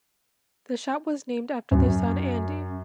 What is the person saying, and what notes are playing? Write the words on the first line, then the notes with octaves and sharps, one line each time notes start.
The shop was named after their son Andy.
F#2